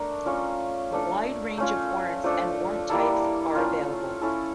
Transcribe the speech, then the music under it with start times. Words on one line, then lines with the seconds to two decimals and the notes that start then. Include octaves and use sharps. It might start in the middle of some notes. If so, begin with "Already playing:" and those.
A wide range of warrants and warrant types are available.
Already playing: A3 D4 A#4
0.26 A3 C#4 F4
0.92 A3 D4 A4
1.58 A3 C#4 F4
2.24 F3 A3 D4 A4
2.89 G3 A#3 E4 A4
3.55 A3 C#4 F4
4.21 C#4 E4 A4